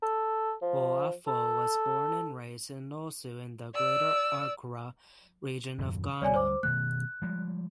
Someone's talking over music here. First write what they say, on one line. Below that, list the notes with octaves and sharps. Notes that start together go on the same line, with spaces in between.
Boafo was born and raised in Osu in the Greater Accra Region of Ghana.
A4
F3
A4
D5 E6
D#1 F#2
D2 G3 C#5 D5 G#5
C5 D6
B2 D#3 A3 F#6
F3 G3 G#3